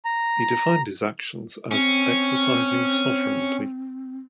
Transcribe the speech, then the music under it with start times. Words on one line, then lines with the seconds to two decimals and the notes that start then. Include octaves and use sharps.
He defined his actions as "exercising sovereignty".
0.05 A#5
1.71 C4 C#4